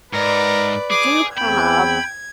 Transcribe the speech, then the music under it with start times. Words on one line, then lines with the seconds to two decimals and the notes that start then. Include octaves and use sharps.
do have
0.13 G#2 A#4 B4 D5
0.91 G#4 D6
1.37 E2 C4 G5 B5 G#6